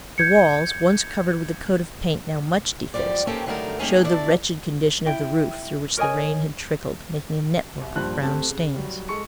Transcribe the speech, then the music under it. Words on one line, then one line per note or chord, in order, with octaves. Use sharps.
The walls, once covered with a coat of paint now much defaced, showed the wretched condition of the roof through which the rain had trickled, making a network of brown stains.
G6 G#6 C#7
F#2 F3 G3 D5
A#3 C4 C#4 D#4 G4 A4
D3 F#3 G3 A3 D#4 A#4
G3 A#3 C#4 D#4 G#4 A4
B2 D4 E4 A4 D5 A5
E4 G5
A#4 C#5 D#5 G#5
C2
G2 A#2 F3 G3 C5 F#6
A3 C4 G4 A5
C#3
F#3 G3
G#3 A4 C#6 C#7